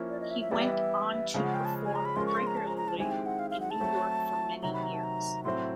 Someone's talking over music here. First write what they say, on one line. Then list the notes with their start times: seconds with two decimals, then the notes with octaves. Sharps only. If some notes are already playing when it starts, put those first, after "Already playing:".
He went on to perform regularly in New York for many years.
Already playing: F3 A#3 C#4 E4
0.10 D5
0.20 D#5
0.31 E5
0.41 E5
0.51 E3 G3 B3 E4 G4 D5
0.68 D#5
0.72 E5
1.33 C#3 F3 G#3 C#4 F5
1.44 F#5
1.54 G5
1.65 A5
1.85 G#5
1.95 A#5
2.05 B5
2.16 F3 G#3 C#4 F4 A#4 C6
2.26 C#6
2.37 C6
2.47 A#5
2.57 A5
2.67 A#5
2.77 A#5
2.88 A5
2.98 D#3 G#3 C4 E4 G4 G#5
3.12 G5
3.26 F#5
3.39 F5
3.50 F5
3.61 F#5
3.71 A5
3.80 F#3 A3 C4
4.63 C3 D#3 F#3 A#5
4.74 B5
4.83 A#5
4.94 A5
5.03 A#5
5.44 A2 F#3 A3 C4 C6